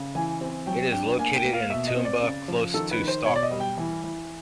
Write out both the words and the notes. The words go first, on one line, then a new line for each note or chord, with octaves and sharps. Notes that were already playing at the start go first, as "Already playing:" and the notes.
It is located in Tumba, close to Stockholm.
Already playing: C#3
E3 G#5
C4
F#3 G5
D4 G5
A#3 G#5
G5
A#3
F5
B2 E5
D#5
C4
D5
C#3
F3
D#3 A4
B4
D#3
C5
B2 C#5
D5
D#5
G3
G5
E3
E3